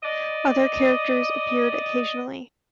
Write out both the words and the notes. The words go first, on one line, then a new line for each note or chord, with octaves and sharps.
Other characters appeared occasionally.
D5 D#5